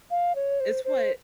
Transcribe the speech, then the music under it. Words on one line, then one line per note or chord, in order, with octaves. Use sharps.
it's what
F5
C#5
C5
C5